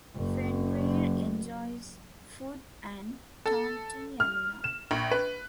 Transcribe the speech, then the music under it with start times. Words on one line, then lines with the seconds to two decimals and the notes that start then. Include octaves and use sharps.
Fenrir enjoys food and taunting Yamino.
0.16 F#1 F#2
3.46 A4
4.20 F6
4.64 E7
4.91 A#1
5.11 B4